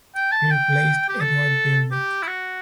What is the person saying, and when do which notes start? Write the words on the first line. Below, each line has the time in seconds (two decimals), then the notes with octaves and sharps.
He replaced Eduard Vilde.
0.15 G5
0.32 A5
0.51 G5
1.09 G4
1.21 A4
1.91 G4
2.22 E4
2.27 F#4